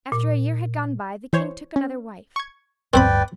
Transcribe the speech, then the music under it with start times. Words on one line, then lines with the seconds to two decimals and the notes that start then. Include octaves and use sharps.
After a year had gone by, the king took another wife.
0.12 A#2
1.33 E3 C5 C#5
1.76 C#4
2.36 C#6 G#6
2.94 D1 G2 C4 B4 C5 D5 G5 B5